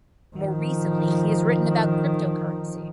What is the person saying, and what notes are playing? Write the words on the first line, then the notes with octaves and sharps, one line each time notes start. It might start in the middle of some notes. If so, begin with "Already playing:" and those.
More recently, he has written about cryptocurrency.
D#3 F3